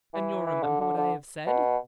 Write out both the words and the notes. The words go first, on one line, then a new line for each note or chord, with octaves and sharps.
"And you'll remember what I have said?"
E3
E3
D3
D3
D3
B2